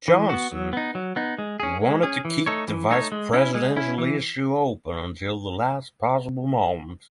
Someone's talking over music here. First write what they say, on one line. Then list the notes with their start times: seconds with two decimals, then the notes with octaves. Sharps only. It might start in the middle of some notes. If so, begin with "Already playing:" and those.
Johnson wanted to keep the vice presidential issue open until the last possible moment.
0.08 E3
0.29 B3 F#4
0.52 F#3
0.73 B3 D#4
0.95 F#3
1.16 B3 D#4
1.39 G#3
1.60 C#4 G#4
1.81 G#3
2.03 C#4 G#4
2.25 E3
2.46 A3 D#4 A4 C#5
2.68 E3
2.90 A3 D#4 A4 C#5
3.12 G#3
3.33 C#4 E4
3.55 G#3
3.76 C#4 E4
3.98 E3